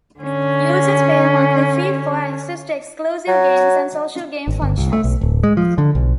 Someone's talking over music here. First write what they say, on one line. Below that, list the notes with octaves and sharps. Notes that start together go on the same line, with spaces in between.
Users pay a monthly fee for access to exclusive games and social game functions.
D3 C#4
F#3
G#1
G1
C2
A3
B1
D1
G#3
F3
D3
B1